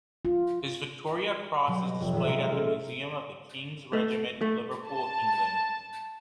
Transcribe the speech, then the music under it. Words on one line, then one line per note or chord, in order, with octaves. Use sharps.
His Victoria Cross is displayed at the Museum of the King's Regiment, Liverpool, England.
F4
B2 F#3 G3
D#5
F1
D#1 B3 E5
C3 G#3 D#5 F5 A#5 A#6
C#4 A4 A#4 D#5 E5
A3
A3
A5